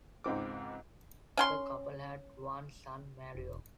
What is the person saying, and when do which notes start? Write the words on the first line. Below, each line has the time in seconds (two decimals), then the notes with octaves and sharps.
The couple had one son, Mario.
0.24 C#2 G#2 C4 D6
1.37 C#4 G5 C6
3.35 E1